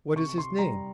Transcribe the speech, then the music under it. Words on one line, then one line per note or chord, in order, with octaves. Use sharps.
"What is his name?"
C3 C#6
C6
G3 A#5